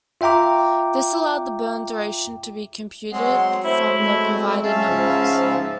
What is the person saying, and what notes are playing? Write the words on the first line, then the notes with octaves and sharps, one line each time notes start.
This allowed the burn duration to be computed from the provided numbers.
F4 E5 G5 A#5 D6
F#3 G#3 C4 F#5 C6
A3 E4 C5
G#3 A3 C4
C#4 E5 F5 A5
G#2 C#3 F3